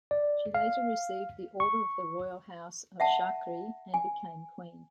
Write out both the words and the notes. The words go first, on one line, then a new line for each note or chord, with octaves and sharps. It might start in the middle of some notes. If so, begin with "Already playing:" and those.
She later received the Order of the Royal House of Chakri, and became queen.
D5
F5
C#6
E5 F#5 A5
G#5